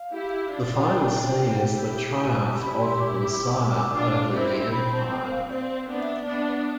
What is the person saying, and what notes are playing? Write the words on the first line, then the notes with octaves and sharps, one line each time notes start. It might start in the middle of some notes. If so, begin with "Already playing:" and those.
The final scene is the triumph of the Messiah over the empire.
Already playing: F5
E4 G4
D4 F4
G5
E4 G4
E4 G4 A5
B5
C6
D6
D6
D4 F4
C4 E4
C4 B5
A5
G5
F5
C4 D5
B3 D4
E5
B3 D4